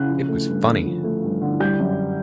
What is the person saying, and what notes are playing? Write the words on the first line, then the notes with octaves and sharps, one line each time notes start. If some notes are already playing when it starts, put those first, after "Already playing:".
It was funny.
Already playing: C#3 F#6
F3
A3
G2
D3
F3
A3
G2
D3
G3 G6
F#2